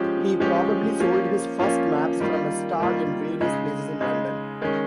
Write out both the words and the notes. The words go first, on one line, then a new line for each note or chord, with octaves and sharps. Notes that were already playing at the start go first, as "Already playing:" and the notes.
He probably sold his first maps from a stall in various places in London.
Already playing: F3 G#3 C#4 G4
F3 G#3 C#4 G4
F3 A#3 C#4 F4
F3 A#3 C#4 F4
D#3 G3 A#3 F4
D#3 G3 A#3 F4
C#3 G#3 D#4
C#3 G#3 D#4
D#3 G#3 C#4